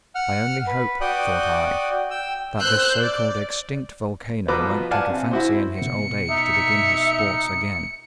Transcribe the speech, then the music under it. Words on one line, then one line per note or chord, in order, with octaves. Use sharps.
I only hope, thought I, that this so-called extinct volcano won't take a fancy in his old age to begin his sports again!
F#5 F6
B4
F#4 D5 G5 D#6 F#6
G5 E6
C5 E6 F#6 G6
D5
B2 F3 B4 A#5 D6
D5 F5 F#5 G#5 A5
C3
E4 F#4 C5
B2 B3 C#7
D#4 E5